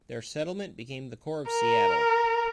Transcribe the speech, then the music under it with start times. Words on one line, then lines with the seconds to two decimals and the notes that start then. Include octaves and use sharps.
Their settlement became the core of Seattle.
1.51 A#4